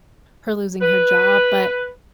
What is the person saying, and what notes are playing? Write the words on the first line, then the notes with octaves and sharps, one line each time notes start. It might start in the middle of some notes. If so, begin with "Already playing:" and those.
her losing her job, but,
B4